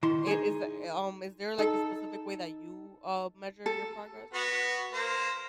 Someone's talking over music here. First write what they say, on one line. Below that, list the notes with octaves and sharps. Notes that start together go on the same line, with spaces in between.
It is it eh um, is there, like, a specific way that you, uh, measure your progress?
D#3 E4 C6
D#4 G#4
D#4 A4
A4
B3 F#4
A#3 C5